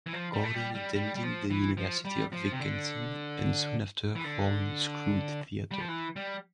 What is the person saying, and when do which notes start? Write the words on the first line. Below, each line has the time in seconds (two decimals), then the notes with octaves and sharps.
Gordon attended the University of Wisconsin and soon after formed Screw Theater.
0.06 E3
0.13 F3
0.34 G3
0.44 A3
0.54 G3
0.75 G3
0.95 G3
1.15 G3
1.23 F3
1.50 E3
1.77 F3
2.05 G3
2.32 F3
2.52 C3
2.60 D3
4.15 E3
4.24 D3
5.71 G3
5.80 F3
5.88 E3
6.16 G3